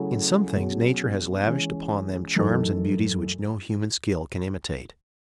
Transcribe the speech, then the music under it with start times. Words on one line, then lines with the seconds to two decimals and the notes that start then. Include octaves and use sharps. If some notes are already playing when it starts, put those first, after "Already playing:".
In some things nature has lavished upon them charms and beauties which no human skill can imitate.
Already playing: C#3 F#3 A3 E4 G#4
0.55 B2 F#3 C#4 G#4
1.47 E3 G#3 C#4
2.36 F#2 E3 A3 D#4 A4